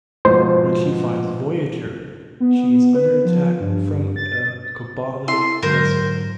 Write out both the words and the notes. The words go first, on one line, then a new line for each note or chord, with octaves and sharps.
When she finds "Voyager", she is under attack from a Kobali vessel.
G#2 B2 F3 C5
B3
B4
F3
G2
A6
E4 A4 C6
G#2 D3 F#3 A#4 C5